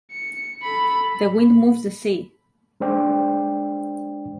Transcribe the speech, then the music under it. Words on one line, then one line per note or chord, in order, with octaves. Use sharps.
The wind moves the sea.
C#7
A4 B5
G#3 D4 C5 D5 G5